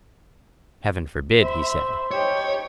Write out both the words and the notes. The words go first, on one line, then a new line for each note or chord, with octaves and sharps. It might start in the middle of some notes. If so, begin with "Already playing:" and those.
Heaven forbid, he said.
C5 E5 B5
D#4 G4 C#5